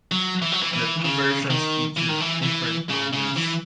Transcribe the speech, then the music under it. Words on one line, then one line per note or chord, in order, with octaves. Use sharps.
The two versions featured different covers.
F#3
E3
F#3
E3
E3
C#3
D#3
E3
D#3
E3
E3
C#3
C#3
E3